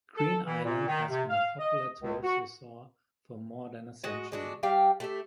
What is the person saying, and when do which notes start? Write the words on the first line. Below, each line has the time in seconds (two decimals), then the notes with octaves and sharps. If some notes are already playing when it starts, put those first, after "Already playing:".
Green Island has been a popular tourist resort for more than a century.
0.17 A4
0.45 E3
0.64 A#2
0.87 D#3
1.10 C3
1.29 F5
1.59 D#5
2.02 C#2
2.23 F#4
4.04 G#3 F#4 D#5
4.32 G#3 D4 F#4
4.63 G3 G4 F5 G5
5.00 A3 G4 E5